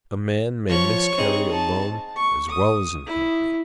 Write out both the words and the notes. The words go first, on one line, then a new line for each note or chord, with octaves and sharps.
A man may miscarry alone as well as in company.
F3 C#5 C#6
C4 D#4 G#4
A5
C#6
D#6
E4